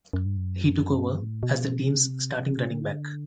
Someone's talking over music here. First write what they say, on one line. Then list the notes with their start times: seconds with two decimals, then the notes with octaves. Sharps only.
He took over as the teams starting running back.
0.13 F#2
0.26 G2
0.37 F#2
0.99 G2
1.22 A2
1.43 B2
1.85 C3
2.71 D3